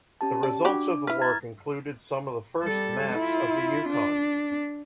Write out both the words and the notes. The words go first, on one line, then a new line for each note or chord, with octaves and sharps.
The results of the work included some of the first maps of the Yukon.
C#4 G4 A5
D5
D4 F#4 G4 B5 D6
E4 B4 F6
A#5 G#6 A6
G3 A4
E4 F4
D4